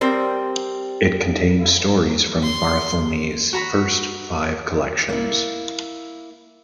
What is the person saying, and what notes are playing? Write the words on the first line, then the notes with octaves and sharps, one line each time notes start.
It contains stories from Barthelme's first five collections.
G3 C4 A#4 C5
C6
F#4 A#5 B5
A#3 E4